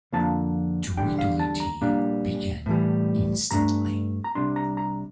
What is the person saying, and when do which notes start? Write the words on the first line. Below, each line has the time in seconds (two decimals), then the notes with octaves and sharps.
Tweedledee began instantly.
0.12 F2 D3 F3 A#3 A5
0.97 E2 D3 G3 D4 G5
1.18 F5
1.40 A5
1.60 A#5
1.81 A#2 G3 A#3 D4
2.66 A2 E3 G3
3.51 G2 F3 A3 D4 A#5
4.24 A#5
4.35 C2 C3 G3 D4 C6
4.56 A#5
4.77 A#5